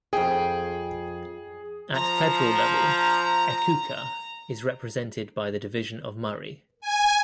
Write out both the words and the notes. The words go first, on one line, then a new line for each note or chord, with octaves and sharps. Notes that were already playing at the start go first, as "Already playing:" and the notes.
At federal level, Echuca is represented by the Division of Murray.
F2 G#4 G5
F3 A#5
G#5